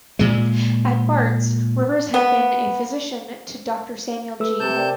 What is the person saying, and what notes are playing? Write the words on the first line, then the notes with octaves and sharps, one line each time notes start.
At Bart's, Rivers had been a physician to Doctor Samuel Gee.
A#2 G#3
B3
A3 B4 E6
C3 A5 G6
A#4 D5 G5